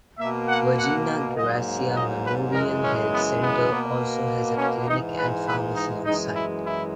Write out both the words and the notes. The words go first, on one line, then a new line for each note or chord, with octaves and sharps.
Virginia Garcia Memorial Health Center also has a clinic and pharmacy on site.
B2 A#3 E5
F#5
F#5
G#2 F#3 A#3 D#5
D#5
B4
F#2 C#3 E3 G#3 A#4
C#4
B3
B3
B2 A#3
C#4
G#2 E3 G#3 D#4
B4
B4
D#4
F#2 E3 G#3 D#4
E4
E4